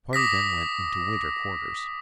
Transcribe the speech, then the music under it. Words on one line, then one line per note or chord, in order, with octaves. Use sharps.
The party then went into Winter Quarters.
D6 D#6 A#6 B6